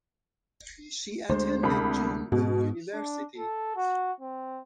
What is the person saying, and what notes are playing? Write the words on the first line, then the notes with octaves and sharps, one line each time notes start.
She attended Joongbu University.
D2 G#3 C5
C2 B5
G#2 B2
D4
A4
F#4
C4